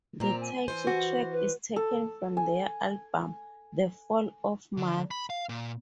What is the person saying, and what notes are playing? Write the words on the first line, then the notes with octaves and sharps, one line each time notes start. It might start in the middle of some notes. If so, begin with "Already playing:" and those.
The title track is taken from their album "The Fall of Math".
A#2 C4 A#5
G#5
E3 C5
F#4
B4
A4
G#5
D3
B5
F5
A#2